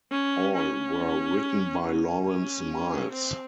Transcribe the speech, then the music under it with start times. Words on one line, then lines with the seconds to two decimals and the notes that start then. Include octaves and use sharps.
All were written by Lawrence Miles.
0.11 C#4
0.55 C#4
1.84 C#4
2.26 C#4
3.13 C4